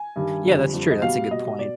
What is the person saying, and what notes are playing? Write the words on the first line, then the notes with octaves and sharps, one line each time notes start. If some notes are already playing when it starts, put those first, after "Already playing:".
Yeah, that's true. That's a good point.
Already playing: G#5
G2 D#3 G3
F2 D3 G3
F2 D3 G3
D#5
B2 G3 F5
B2 G3 D#5
B2 D5